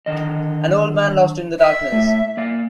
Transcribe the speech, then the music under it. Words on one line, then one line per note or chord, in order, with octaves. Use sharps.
An old man lost in the darkness.
D3 D#3 D#5
E5
A2 A3
A#3 D5 F5